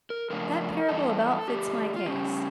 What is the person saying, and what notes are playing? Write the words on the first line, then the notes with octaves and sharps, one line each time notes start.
That parable about fits my case.
A#4
C#3 F3 A3 D4 A#4
G2 E3 A4
D3 A3 D4 G4
F4
C#3 G3 C#4 G4